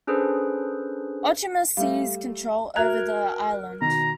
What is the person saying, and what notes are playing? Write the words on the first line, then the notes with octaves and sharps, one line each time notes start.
Ochimus seized control over the island.
C#4 D4 G#4 A4 B4 C5
G3 A3 F5
F#4 A#4 E5 A#5 F#6 G#6 F7
B2 D#3 A#5